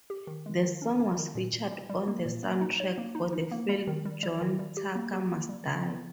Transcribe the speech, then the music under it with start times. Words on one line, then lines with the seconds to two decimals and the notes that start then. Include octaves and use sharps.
The song was featured on the soundtrack for the film "John Tucker Must Die".
0.10 G4
0.27 D#3
0.46 G#3
0.63 D#3
0.82 C#4
1.00 C#4
1.17 D#3
1.35 A#2
1.53 A#2
1.71 G3
1.90 G3
2.08 A#3
2.25 A#2
2.43 A#3
2.61 D#4
2.80 C#5
2.98 A#3
3.15 D#4
3.33 D#4
3.51 A#3
3.69 G3
3.87 D#3
4.05 G3
4.23 G3
4.41 D#3
4.59 G3
4.77 G4
4.96 A#3
5.13 G4
5.32 A#3
5.49 G3
5.67 C#3
5.85 B3